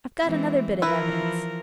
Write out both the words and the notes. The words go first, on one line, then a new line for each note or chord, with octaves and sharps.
I've got another bit of evidence.
E3 G#3 C4
E3 F3 E4 A#4 B4